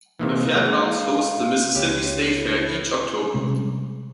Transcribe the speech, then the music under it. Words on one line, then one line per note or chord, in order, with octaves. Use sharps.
The Fairgrounds hosts the Mississippi State Fair each October.
C3 D#3 E3 A#3
G#3
F5
C#2 G4 C#5
E4
C3 G3 G#3 C#4